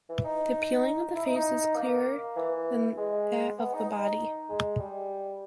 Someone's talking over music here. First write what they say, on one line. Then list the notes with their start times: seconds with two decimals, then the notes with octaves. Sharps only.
The peeling of the face is clearer than that of the body.
0.09 E3
0.24 D#4
1.15 E4
1.26 D#4
1.36 D#4
1.76 A#3
2.36 E3
2.97 G#3
3.58 B3
3.73 D#4
3.88 D#4
4.49 G#3
4.79 G3